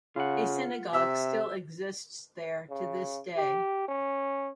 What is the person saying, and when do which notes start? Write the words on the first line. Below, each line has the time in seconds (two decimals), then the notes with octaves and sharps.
A synagogue still exists there to this day.
0.16 C#3 F4 F#5
0.93 C3 E5 E6
2.70 C#3
3.37 G4
3.88 C#4